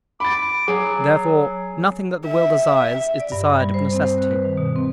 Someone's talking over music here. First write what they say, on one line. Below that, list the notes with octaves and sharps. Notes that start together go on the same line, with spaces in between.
Therefore nothing that the will desires is desired of necessity.
B5 D6 A6
F#3 G#4
E5
D5
G2
B5
G3
C5
C4
C5
F#6
B4
D#3
B2
C4